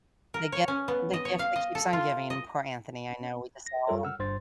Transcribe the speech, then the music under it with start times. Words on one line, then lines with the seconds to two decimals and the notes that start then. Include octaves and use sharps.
the gift the gift that keeps on giving, poor Anthony. I know we just all
0.34 A#4
0.52 C#5
0.68 C#4
0.88 B3
1.13 D#5
1.25 C#5
1.39 F5
1.56 D#5
1.75 A4
1.93 F4
2.30 D#5
3.66 A#6
3.87 F#2 G3 F4 A4 A#4 C#5
4.03 F#5 E6 F6
4.19 G1 G2 C5 C6 A6